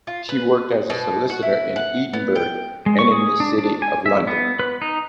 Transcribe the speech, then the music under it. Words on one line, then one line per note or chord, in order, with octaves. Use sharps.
She worked as a solicitor in Edinburgh and the City of London.
F4
B4
B2
F#4
E4
F#5
B3
G5
G#3
C#6
G#4
D4
D4
G#5
E5
B3
B4
D#4